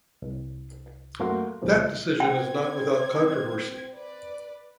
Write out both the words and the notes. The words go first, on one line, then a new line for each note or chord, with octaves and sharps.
That decision is not without controversy.
C2
F#2 A3 A#3 F#4 A#4 C6
C#2 A#2 C#3 F3 A#3
C4 G5 G#6
B4 D5